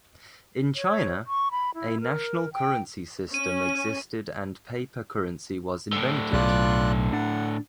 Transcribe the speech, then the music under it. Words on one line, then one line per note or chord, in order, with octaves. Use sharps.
In China, a national currency system existed and paper currency was invented.
C#5
C#6
B5
E4
A#4
G5
C#4 D#7
A2 D3
B1 F4 D5 F#6
D4 F#5